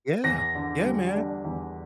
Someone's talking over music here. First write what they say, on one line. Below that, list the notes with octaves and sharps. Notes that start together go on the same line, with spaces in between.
Yeah. Yeah, man.
E2 A#6
D3
G3
D4
E2